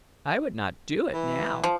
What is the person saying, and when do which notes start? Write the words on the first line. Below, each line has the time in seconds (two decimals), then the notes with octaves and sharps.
I would not do it now.
1.13 E3
1.64 F3